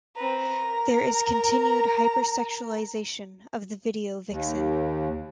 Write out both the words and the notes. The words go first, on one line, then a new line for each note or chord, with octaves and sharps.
There is continued hyper-sexualization of the video vixen.
C4 B4 A#5
A#4
D#2